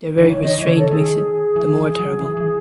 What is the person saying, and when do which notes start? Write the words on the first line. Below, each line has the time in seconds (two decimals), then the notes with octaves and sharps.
Their very restraint makes it the more terrible.
0.18 D#3
0.26 E3 C#5
0.42 D#3 D#5
0.58 E3 C#5
0.66 C#3
0.75 D#3 A4
0.91 D#3 G#4
1.56 E3
1.77 E3
1.99 F#3
2.21 E3
2.37 E3